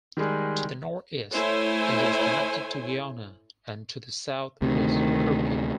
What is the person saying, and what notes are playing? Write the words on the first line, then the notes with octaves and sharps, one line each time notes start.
To the Northeast it is connected to Giona and to the south with Kirphe.
D#3 G3 G#3 G#4
A3 E4 C5 C#5 G#5
D2 C3 D#3 A3